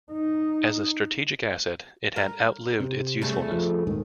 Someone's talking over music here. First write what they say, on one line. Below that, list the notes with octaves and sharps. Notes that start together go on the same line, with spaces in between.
As a strategic asset it had outlived its usefulness.
D#4
A#4
C3
C#3 A3
F3
D#1 G#2 D#3